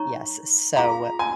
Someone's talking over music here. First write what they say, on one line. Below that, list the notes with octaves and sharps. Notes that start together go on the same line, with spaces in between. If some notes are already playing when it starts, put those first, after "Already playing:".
Yes, so,
Already playing: D#4 C#5 A#5 C#6
F4 G#4 F5 A#5
G#5